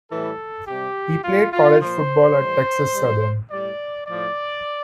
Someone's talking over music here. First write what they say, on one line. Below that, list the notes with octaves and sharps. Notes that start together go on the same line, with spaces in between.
He played college football at Texas Southern.
A2 E3 G3 A4
C3 G3 G4
A#2 G3 F4
F4
A#2 F3 C5
A2 E3 G3
C3 E3 G3
A2 G3 D5
A2 F3 D5